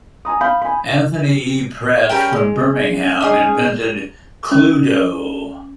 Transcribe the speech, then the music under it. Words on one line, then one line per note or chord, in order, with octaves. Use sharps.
Anthony E. Pratt from Birmingham invented Cluedo.
G#5 A#5 D#6
F5 B5 G6
G#5 B5
G3 C#4 A#4 G5
G#3
C#4 D#4 G#4
C#4